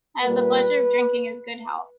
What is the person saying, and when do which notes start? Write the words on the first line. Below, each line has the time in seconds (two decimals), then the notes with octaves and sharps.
I have the pleasure of drinking his good health.
0.22 A#2 G3 A#3 B4